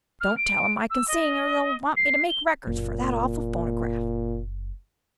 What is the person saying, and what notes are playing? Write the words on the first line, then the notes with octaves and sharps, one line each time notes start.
Don't tell 'em I can sing, or they'd want me to make records for that awful phonograph.
F6
D7
E6
D#5
C7
G7
F#1 A#2